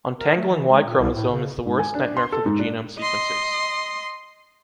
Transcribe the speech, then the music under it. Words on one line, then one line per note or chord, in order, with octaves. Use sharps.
Untangling Y-chromosome is the worst nightmare for the genome sequencers.
A#4
A3
E3
G#3
A#2
C2
A2
C#3
G#2
G#5
D4
C6
A4
G#2
D4
D#5 C6